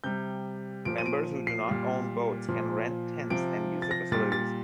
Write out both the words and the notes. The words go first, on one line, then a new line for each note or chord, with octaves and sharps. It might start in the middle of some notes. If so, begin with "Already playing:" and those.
Members who do not own boats can rent tents and use the facilities.
C3 G3 G6
A#2 F3 D7
D#7
D7
C7
A#2 G3
A#2 F3
C3 F3 D7
A6
A#6
A#2 G3 A6
A6